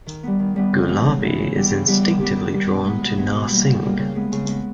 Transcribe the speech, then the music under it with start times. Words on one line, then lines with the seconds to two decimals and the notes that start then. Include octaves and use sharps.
Gulabi is instinctively drawn to Narsingh.
0.06 D#3
0.23 G3 B3
0.39 D#3
0.56 G3 B3
0.73 C#3
0.88 E3 G#3 B3 D#4
1.05 C#3
1.22 E3 G#3 B3 D#4
1.38 C#3
1.54 G3 B3 E4 G4
1.70 C#3
1.87 G3 B3 E4 G4
2.03 D#3
2.20 G3 B3 G4
2.36 D#3
2.52 G3 B3 G4
2.69 B2
2.85 G#3 B3
3.01 B2
3.17 G#3 B3
3.34 B2
3.50 G3 A#3
3.66 B2
3.83 G3 A#3
3.99 C#3
4.15 G#3 B3
4.32 C#3
4.48 G#3 B3